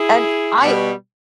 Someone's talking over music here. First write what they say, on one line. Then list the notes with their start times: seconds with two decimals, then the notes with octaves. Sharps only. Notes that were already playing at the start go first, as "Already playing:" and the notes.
And I
Already playing: E4 G#4
0.62 B2 G3